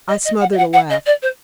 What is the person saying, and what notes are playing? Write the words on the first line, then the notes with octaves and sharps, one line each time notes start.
I smothered a laugh.
D#5
D#5
F#5
D#5
F#5
F#5
D#5
D5
C5